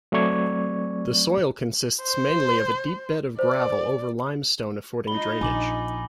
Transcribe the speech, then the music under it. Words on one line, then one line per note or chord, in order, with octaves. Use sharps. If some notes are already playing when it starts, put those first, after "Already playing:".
The soil consists mainly of a deep bed of gravel over limestone affording drainage.
F#3 A3 C4 D5 C#6 G#6
C5
C5 D5
D#4 F4 B5 G7
A#1 G#5 D6 F#7